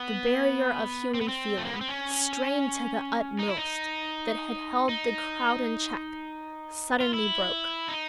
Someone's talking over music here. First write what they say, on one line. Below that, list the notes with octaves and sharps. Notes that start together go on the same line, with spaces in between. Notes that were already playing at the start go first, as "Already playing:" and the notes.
The barrier of human feeling, strained to the utmost, that had held the crowd in check suddenly broke.
Already playing: B3
C4
B3
C4
A3
A#3
B3
C4
C#4
D#4
E4
D#4
D#4
F4
E4
D#4